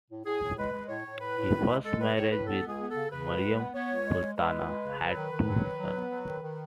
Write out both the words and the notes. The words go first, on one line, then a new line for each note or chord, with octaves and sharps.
His first marriage with Maryam Sultana had two sons.
A2
A2 G#4
A2
G#3 B4
G#3
A2 C#5
A2
A2 B4
A2
A2
G#3
G#3 A4
A2 B4
A2 C#5
A2 B4
B3 A4
C#2 G#4
B3
C#3 A4
C#3 B4
C#2
G#3
B3
B3 C#5
C#2
G#3
G#3
G#3 B4
C#2
G#3
C#3
F#3
D#3
D#3
F#3
D#3
F#3
B3
F#3
D#3
D#3